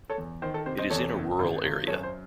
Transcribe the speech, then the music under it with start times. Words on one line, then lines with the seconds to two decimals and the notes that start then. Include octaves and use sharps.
It is in a rural area.
0.10 A4 C#5
0.18 E2
0.42 D#3 C5
0.54 A4
0.66 C3 C5
0.78 C5 D#5
0.90 E2 A4 C#5
1.15 F#1
1.39 G#1
1.63 G#1
1.87 F#2 A4 C#5
2.03 C5